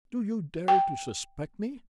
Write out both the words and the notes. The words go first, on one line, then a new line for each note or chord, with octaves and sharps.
"Do you dare to suspect me?"
G5